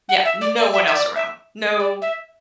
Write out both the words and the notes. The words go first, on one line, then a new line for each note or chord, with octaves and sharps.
Yeah, no one else around. No
F#5
E5
D5
D5
E5
E5
D5
E5
D5
E5